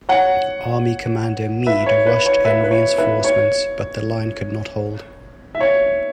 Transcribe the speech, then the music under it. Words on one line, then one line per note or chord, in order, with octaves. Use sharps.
Army commander Meade rushed in reinforcements, but the line could not hold.
C#5 F#5
B4 E5
C#5
B4
C#5
B4 E5
B4
C#5
B4 E5
C#5
E5
C#5